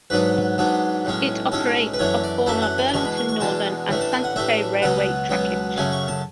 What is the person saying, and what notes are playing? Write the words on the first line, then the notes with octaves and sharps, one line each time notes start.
It operates of former Burlington Northern and Santa Fe Railway trackage.
G#2 F#3 B3 D4 B4
G#2 F#3 B3 D4
B1 A2 G#3 C#4
B1 A2 G#3 C#4 A4
B4
F#2 E3 A3 D4 C#5
D5
F#2 E3 A3 D4 E5
F#5
G#5
B5
E2 B2 G#3 D4 C#6
B5
C#6
C#6
E2 B2 G#3 D4 A5
A1 A2 E3 A3 D4
A5
G#5
F#5
A1 A2 E3 A3 D4 E5
C#2 B2 F#3 B3 F#5
C#2 B2 F#3 B3
F#2 C#3 F#3 A3 G#5
C#6
A5